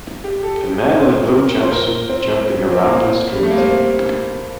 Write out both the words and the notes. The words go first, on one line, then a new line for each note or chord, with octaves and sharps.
A man in a blue jumpsuit jumping around in a street.
G4
A4
C5
A#4
C5
A#4
C4
C4
A#3
G3
A3
A#3
C4